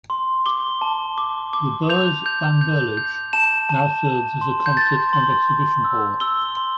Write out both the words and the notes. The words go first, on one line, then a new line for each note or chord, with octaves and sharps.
The Beurs van Berlage now serves as a concert and exhibition hall.
C6
D6 G7
A5
D6
D6
G6 F7
G6
G6
G6
A5 E7
A5
A5
C6
G6
C6 A6
C6
C6
E6
E6 G7
C6